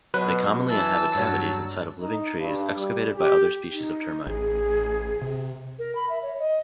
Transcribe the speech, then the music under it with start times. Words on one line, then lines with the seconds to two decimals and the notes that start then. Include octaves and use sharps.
They commonly inhabit cavities inside of living trees excavated by other species of termite.
0.14 B2 F#3 B4
0.68 E3 A5 E6
1.15 G2 F#3 C#5
2.00 D#4
2.38 G2
2.75 G3
3.15 G4
3.72 D#4
4.27 A1 G#4
5.21 C3
5.79 A#4
5.95 B5
6.09 E5
6.22 C#5
6.39 D#5